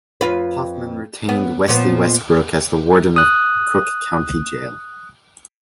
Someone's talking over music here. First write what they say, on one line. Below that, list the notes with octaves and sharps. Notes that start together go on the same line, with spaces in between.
Hoffman retained Wesley Westbrook as the warden of Cook County Jail.
F2 F4 B4
B3
A#2 F3 B3
D#6 F#6